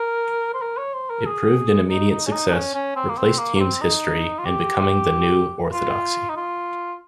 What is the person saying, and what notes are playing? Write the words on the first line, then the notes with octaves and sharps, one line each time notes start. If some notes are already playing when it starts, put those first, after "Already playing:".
It proved an immediate success, replaced Hume's history and becoming the new orthodoxy.
Already playing: A#4
C5
A#4
C#5
C5
A#4
G#4
D#4
D#4
C#4
D#4
D#4
C#4
C#4
C4
A#3
C4
A#3
A#3
C4
D#4
F4
G4
F4
D#4
F4